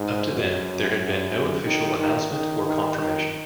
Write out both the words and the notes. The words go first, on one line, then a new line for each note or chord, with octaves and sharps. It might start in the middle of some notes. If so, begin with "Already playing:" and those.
Up to then there had been no official announcement or confirmation.
Already playing: G#2
F#2
F#2
D#3
D#3
D#3
D#3
D#3